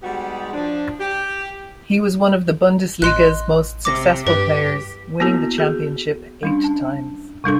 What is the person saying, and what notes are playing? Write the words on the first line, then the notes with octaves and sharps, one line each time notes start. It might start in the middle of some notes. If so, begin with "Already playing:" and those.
He was one of the Bundesliga's most successful players, winning the championship eight times.
G3 G#3 B3 D#4 F#4 G4
F3 D4
G4
A1 D#5 C6 F#6
C3 D6 A#6
G2 G4 B4
A#3 B3 E4 F#4 A4
F#4 G#4 A4
G3 C#4 D4
A5
C3 G3 D4 A4